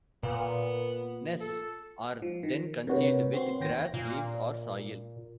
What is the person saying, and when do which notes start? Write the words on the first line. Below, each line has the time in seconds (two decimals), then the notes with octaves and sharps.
Nests are then concealed with grass, leaves, or soil.
0.23 A#2 B3
1.41 A4
2.22 F3
2.43 D#3
2.87 C3 F#4 A#4 B4 C#5
3.33 C4 F#4 C6
3.61 D#2 G5 A#6
3.94 A#2